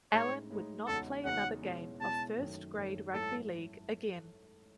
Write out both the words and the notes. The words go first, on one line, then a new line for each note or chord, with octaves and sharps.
Allan would not play another game of first grade rugby league again.
A2 G#3 D#4 C#5
A2 G#3 D#4
E2 C#3 G#3 D#4 F#4 A4
E2 C#3 G#3 D#4 F#4 F#5
B2 G#3 C#4 E4
B2 G#3 C#4 E4 A5
F#2 D#3 A3 C#4
F#2 D#3 A3 C#4
G#2 F#3 A3 C#4 E4 A4